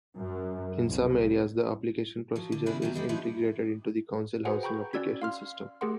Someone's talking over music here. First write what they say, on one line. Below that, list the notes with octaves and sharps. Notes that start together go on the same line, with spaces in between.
In some areas the application procedure is integrated into the council housing application system.
F#2
C2
F3 F#3
D3
C#3 G3 B3 D4 E4
B2 F#3 G3
C3 G3 G#3 C4
F3 F#3 B3 D#4 E4
F#4 G#4 B4 C5 F#5 G#5
G5 A#5 B5 C#6 G6
C#4 F#4 D5 E6 G#6 B6
F5 C6 F6
A3 G4 G#4 A#4 F#5 C6